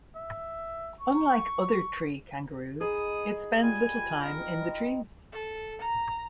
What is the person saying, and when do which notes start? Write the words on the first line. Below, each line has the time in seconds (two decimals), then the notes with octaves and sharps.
Unlike other tree kangaroos, it spends little time in the trees.
0.16 E5
1.00 C#6
2.81 D#4 G#4 B4 D#6
3.63 G3 B3 F4 G#5
4.21 C4 D#4 A#4 C#6
5.32 A4
5.81 A#5